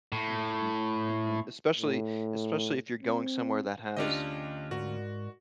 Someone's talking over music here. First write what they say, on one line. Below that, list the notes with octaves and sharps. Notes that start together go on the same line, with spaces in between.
Mhm. Mhm, especially especially if you're going somewhere that has,
A2
A2
C4
D2 C#4 D4 F4 G4 D#5
G#2 F#4 A#4 D5